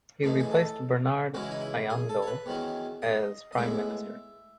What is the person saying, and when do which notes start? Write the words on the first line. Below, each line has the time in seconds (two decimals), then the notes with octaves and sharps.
He replaced Bernard Ayandho as prime minister.
0.23 F#2 E3 A3 D#4
0.40 G#4
0.51 A4
1.34 C#3 E3 G#3 C#4 F#4
1.43 E4
1.51 D#4
1.60 E4
1.90 G#4
2.09 A4
2.22 C#5
2.27 B4
2.46 E2 D#3 F#3 C#4
3.02 D#5
3.53 D#5
3.57 A2 G#3 B3 E5